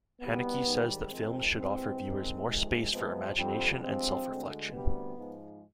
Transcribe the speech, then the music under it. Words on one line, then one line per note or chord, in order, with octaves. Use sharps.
Haneke says that films should offer viewers more space for imagination and self-reflection.
C2 B2 G3 B3
G#2 D#3 G3
F2 D#3 G#3 C4
C2 B2 G#3 C4
D#2 D#3 G#3
F2 C3 D#3 G#3
F2 C3 F3 G#3 B3
F2 D3 G3 C4
G2 F3 G#3 C4
D2 D3 G#3
D2 C3 G3 B3
G#2 F3 G#3